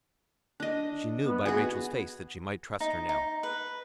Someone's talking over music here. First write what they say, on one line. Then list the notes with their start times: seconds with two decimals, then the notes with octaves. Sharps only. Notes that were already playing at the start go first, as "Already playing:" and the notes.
She knew by Rachael’s face that she might trust her now.
0.60 D4 D#5
1.25 B3
1.46 F#4 G#4
2.80 D#4
3.09 D#4
3.43 B4